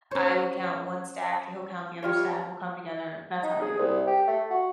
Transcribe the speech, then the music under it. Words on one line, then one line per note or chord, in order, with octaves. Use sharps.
I will count one stack; he'll count the other stack. We'll come together; that's how I do it.
C#4 C5 C#5
G3 F4 C#5
D#4
G#4
C2
G4
A3
F#4